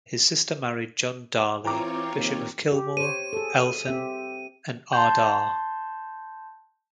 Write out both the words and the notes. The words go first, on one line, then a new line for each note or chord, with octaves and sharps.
His sister married John Darley, bishop of Kilmore, Elphin, and Ardagh.
E3 C4 F4 C#5 G5 A#5 D6
D#2
G4
C5 C#5 D#7
G#4 A4
C4 G4 E5
A5 C6 G6